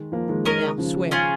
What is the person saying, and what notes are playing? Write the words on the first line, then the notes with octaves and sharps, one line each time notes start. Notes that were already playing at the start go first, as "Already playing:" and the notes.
Now swear.'
Already playing: D#3 G#3
F3 A#3
D#3 G#3
D#3 G#3 C#4 A#4 D#5
C#3 F3
C#4 F4 G#4